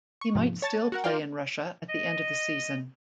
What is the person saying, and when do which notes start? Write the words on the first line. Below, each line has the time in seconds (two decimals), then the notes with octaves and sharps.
He might still play in Russia at the end of the season.
0.21 C#6
0.35 G#2 C3 F3
0.62 C#5 A5 A6
0.92 F#4 A#4 F#5
1.04 F4 A#4 D5 F5 G5
1.89 D#5